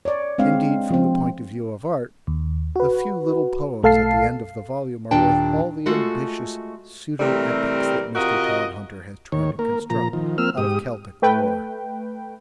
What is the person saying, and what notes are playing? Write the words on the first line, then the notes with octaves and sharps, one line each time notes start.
Indeed, from the point of view of art, the few little poems at the end of the volume are worth all the ambitious pseudo-epics that Mr. Todhunter has tried to construct out of Celtic lore.
C#5 D5
G#3 C4 D4 F5
F3 C4
D#2
F#4 B4
B1 A3 A4 F5 A5 C7
D#2 A#2 G3 D4 G5 A5
G#3 A3 F4 F#4 A4
C3 E3 G3 A3 C4 A#4
C3 F4 F#4 A#4 D#5
D#2 D#3 C#5
A#3 A#4
A#2 F3 A#5
D#3 F3
F3 A#3 C4 E6 F6
G#2 G4 D#6
A3 B4 G5